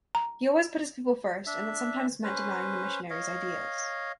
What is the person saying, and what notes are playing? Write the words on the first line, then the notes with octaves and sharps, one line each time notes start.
He always put his people first, and that sometimes meant denying the missionaries' ideas.
A#5
D4 E5
C#4 B4 C5
C#5 D#5 F5